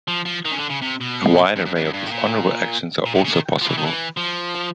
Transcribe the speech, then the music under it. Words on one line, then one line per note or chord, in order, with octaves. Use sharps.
A wide array of dishonorable actions are also possible.
F3
F3
D#3
C#3
D3
C#3
C3
B2
F2
F#2
F2
F#2
G2
A2
A#2
A#2
C3
C#3
D#3
F3
E3
D#3
E3
F3